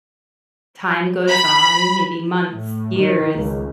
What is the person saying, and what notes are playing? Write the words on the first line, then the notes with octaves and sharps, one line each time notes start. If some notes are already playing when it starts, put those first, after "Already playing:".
time goes on, maybe months, years,
B5
A2
D#3
C#2